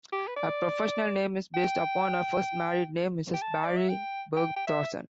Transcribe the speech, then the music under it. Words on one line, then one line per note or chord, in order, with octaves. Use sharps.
Her professional name is based upon her first married name, Mrs Barry Bergthorson.
G4
B4
D5
G5
G5
A5
D5
E5
G5
G5
G5
E5